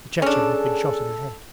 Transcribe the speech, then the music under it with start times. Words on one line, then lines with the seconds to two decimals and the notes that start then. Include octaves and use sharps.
The Chechen had been shot in the head.
0.22 C#4 D4 G#4 A4